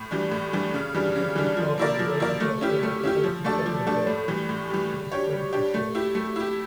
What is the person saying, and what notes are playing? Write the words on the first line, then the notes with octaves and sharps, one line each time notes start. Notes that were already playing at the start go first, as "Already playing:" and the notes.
The city is part of the Greater Glasgow Metropolitan Settlement Area in East Renfrewshire.
Already playing: A2
E3 G3 D4
A2
E3 G3 D4
C#3
E3 G3 D4
C#3
E3 G3 D4
F3
A#3 E4 A#4 D5
F3
A#3 E4 A#4 D5
A3
C#4 E4 G4
A3
C#4 E4 G4
F3
A3 D4 A4 D5
F3
A3 D4 A4 D5
A2
E3 G3
A2
E3 G3
G3
D4 G4 C#5
G3
D4 G4 C#5
A3
E4 G4
A3
E4 G4